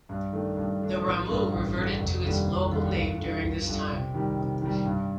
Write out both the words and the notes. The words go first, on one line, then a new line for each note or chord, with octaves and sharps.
The Ramu reverted to its local name during this time.
G2
D#3 A3 D4
G2
D#3 A3 D4
A1
G2 D3
A1
G2 D3
F1
D#2 D3 G3
F1
D#2 D3 G3
G1
G2 D3
G1
G2 D3
C3
D#3 G3
C3
D#3 G3
G2